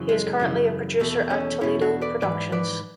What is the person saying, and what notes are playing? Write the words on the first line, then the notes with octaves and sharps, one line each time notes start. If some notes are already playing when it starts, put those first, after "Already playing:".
He is currently a producer at Toledo Productions.
Already playing: F#2 C#3 E3
G#3
F#2 C#3 E3
E2 B2 A3
A3 C#4
E2 B2 C#4 E4
D4 F#4
B4 D5
G#2 E3 B4 D5
B4 D5